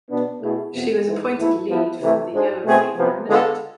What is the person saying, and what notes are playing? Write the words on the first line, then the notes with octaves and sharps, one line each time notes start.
She was appointed lead for the Yellow Fever Initiative.
B2 B3 D4
B2 A3 E4 G#4
F2 C3 F3 B3
G#2 E3 G#3
G#2 E3 A3 E4
F3 B3 E4 B4
C3 E3 A3
G#2 G#3 D4 G#4 C5
B2 A3 C4 G#4 C5
C3 F3 B3
D3 G#3 B3 F4 A4